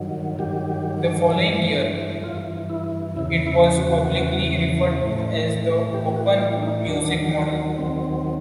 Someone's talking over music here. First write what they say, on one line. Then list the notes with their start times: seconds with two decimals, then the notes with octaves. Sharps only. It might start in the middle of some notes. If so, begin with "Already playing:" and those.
The following year, it was publicly referred to as the Open Music Model.
Already playing: G2 D#3 F#3
0.39 G2 D#3 F#3 G4
1.30 G2 E3
2.23 G2 E3 F4
2.70 E4
3.16 E2 C#3 E3 E4
3.47 E4
3.77 F#4
4.08 E2 C#3 E3
5.01 A2 E3
5.93 A2 E3 G4
6.16 F#4
6.39 F4
6.57 D4
6.63 D#4
6.86 D#2 D#3 F#3 D4
7.78 D#2 D#3 F#3 C4